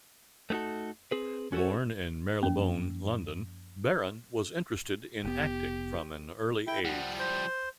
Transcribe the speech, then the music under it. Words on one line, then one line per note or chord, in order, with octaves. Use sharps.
Born in Marylebone, London, Barron was interested in acting from an early age.
A3 B3 D#4 F#4 A4
C4 G#4 B4
C#4 F#4 A4 A#4 C5 C#5
F#2 F3 A#3 C#4
F1 B3 G4
E4 G5
F3 G3 F#5
C5